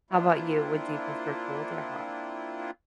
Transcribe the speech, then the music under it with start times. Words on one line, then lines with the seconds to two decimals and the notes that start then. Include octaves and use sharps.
How about you? Would you prefer cold or hot?
0.10 A#3 C4 D4 E4 F4